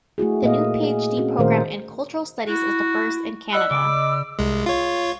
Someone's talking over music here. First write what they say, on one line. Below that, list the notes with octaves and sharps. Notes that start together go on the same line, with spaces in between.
The new Ph.D Program in Cultural Studies is the first in Canada.
A3 E4 F#4 G#4
A#2 A#3 D#5 F5
G#4
C4 C#4 F#4
A#2 D#3 A3 A#4 C5 F5
E4 F#4
D5 D#5 F#5 B5 E6
C#3 D6
C2 G#3
F4 C#5